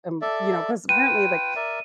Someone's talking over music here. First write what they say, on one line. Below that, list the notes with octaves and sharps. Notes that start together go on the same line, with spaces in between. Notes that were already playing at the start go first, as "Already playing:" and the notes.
um you know, 'cause apparently, like,
A4 D5 E5
F4 B4 G5 D#7
A#4 D5 E5